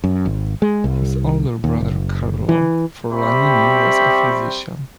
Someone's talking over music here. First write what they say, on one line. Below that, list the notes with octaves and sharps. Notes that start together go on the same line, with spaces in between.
His older brother Carlo Forlanini was a physician.
F#2
G#1
G#3
C2
D#2
F#1
E3
G3 C4 G4 E5 B5 C#6